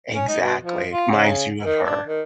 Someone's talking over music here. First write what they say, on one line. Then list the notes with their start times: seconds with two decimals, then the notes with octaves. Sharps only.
Exactly, minds you of her.
0.15 C#4
0.28 D#4
0.41 B2
0.63 F3
0.92 F4
1.11 C#3
1.63 D#3
1.84 D4
2.07 D#3